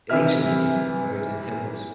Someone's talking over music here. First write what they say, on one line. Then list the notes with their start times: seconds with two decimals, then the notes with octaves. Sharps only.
Elites within the kingdom were buried in hills.
0.10 C3 E3 E5 F6